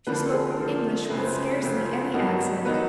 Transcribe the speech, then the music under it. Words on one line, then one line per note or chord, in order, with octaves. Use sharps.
She spoke English with scarcely any accent.
D3 F3 A#3 B4
A4
G#4
A#4
D3 F3 A#3 A4
F#2 C#3 F3 A3 C4 B4
C5
B4
F#2 C#3 F3 A3 C4
G2 D#3 F#3 B3 D#4
D#3 F#3 B3 D#4 B4